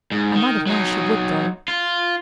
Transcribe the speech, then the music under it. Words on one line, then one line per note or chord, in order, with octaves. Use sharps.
I might have known she would, though.
G#2
D#3
F#3 D#4
F4